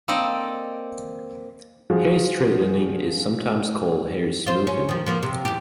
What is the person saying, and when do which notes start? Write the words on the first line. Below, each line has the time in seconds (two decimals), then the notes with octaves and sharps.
Hair straightening is sometimes called hair smoothing.
0.08 A#3 C4 A4 D5 D#5
1.90 F3 F4 F#4 G#4
4.46 F4 C5
4.67 C#4
4.89 D#3 F3
5.06 F3 A#3 B3
5.23 C3
5.45 E2 G4